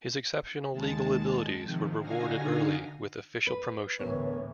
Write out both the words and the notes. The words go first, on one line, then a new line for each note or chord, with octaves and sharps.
His exceptional legal abilities were rewarded early with official promotion.
D#2 G#3 A5 A6
C3 D#3 F3
D3 D#4 F#4 F5 G#5 A#6
B4
D2 A2 E3 B3 A#4 C#5